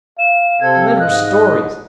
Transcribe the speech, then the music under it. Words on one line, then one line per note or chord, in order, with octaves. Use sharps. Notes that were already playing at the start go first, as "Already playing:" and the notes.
And then her stories!
F5 E7
C3 C4 A4 G#6
G#2 D#5 F#6